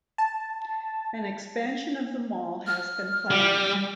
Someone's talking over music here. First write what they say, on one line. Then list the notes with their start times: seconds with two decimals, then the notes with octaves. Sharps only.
An expansion of the mall has been planned.
0.18 A5
2.67 F6
3.31 G3